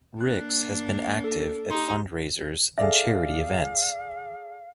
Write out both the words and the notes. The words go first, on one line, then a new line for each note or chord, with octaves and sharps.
Ricks has been active at fundraisers and charity events.
A#3 D4 F#6
A4
D#4 G4 C6
G#4 A4 D5 E5 F5